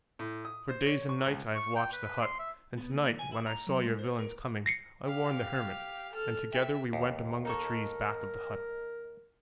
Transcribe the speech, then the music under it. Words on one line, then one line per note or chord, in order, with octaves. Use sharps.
For days and nights I have watched the hut, and tonight, when I saw your villains coming, I warned the hermit, and together we went among the trees back of the hut.
A2
D#6
C5
C#5
C#6
C#2
C#6
G5
B4
C6
E5
B3
D#2
G#5
E4
A#5
F#3
G#3
C5
A#4
A#6 C7 C#7
G4 F5
A4 F6
E5 G5
D#2
D#4 A4 A#4 C#6